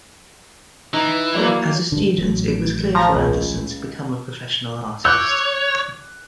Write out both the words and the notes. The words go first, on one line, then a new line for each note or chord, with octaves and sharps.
As a student, it was clear for Andersen to become a professional artist.
E3 D#4
F#3 A#3 E4 D5
G2 D3
A1 F#3
D7
F3 A#5 A#6
C#2
C#5 D6 E6 F#6 G6